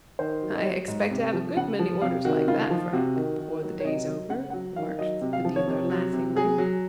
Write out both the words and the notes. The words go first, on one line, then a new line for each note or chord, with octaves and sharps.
"I expect to have a good many orders like that, Frank, before the day is over," remarked the dealer, laughingly.
D#3 C5
F#3
D#5
F#3 C#5
G#2
C3
F3
C#3 F#5
F3
C3 F5
D#3 F#4
C#3 F4
F3
C3 F#4
D#3
D#3
F#3
C#5
C3 D#5
F#3
C#3 F#5
F#3 F#5
D#3 F5
F#3 D#5
C3
F5
F3
C#5
C3
F#3
C3
F#3 G#4
F#3